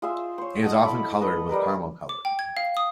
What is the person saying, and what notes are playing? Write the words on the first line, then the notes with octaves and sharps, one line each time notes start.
It is often colored with caramel color.
F4 G#4 C5 E5
C5 C#5
D#5 F#5 A5
E4 A4 B5 D6
A4 B4 D#5
G3 A#4 B4
D6
G5
G#6
F5
D#6